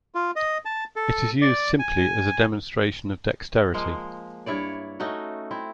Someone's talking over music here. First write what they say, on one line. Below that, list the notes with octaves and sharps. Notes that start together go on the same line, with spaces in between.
It is used simply as a demonstration of dexterity.
F4
D#5
A5
A4
D5
G#5
F3 G#3 A#3
G2 E4 C#5 D5
A3 C#4 D#4 F#4
C4 E4